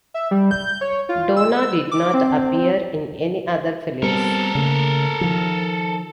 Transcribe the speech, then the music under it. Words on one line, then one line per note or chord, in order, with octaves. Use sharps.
Donna did not appear in any other films.
E5
G3
G6
C#5
F4
E6
D6
C4
G3 B3 C4 A4 A#4
C#3 A3 A#3
D#3 F3